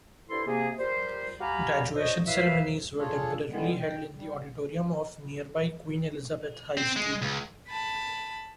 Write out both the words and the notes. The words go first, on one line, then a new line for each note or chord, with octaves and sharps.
Graduation ceremonies were temporarily held in the auditorium of nearby Queen Elizabeth High School.
G2 E4 A4 C5 C6
C3 A#3 G#4
G3 F4 G4 A#4 C5
F#4 G4 F5 G#5 A#5 B5
D4 F#4 C5 C#5 D#5
E4 A#4 B4 C#5 E5 F5
D4 F4 G#4 A4 C#5
D3 E3 G3 G#3 B3
G5
G3
C4
G#3
C#2
A5 B5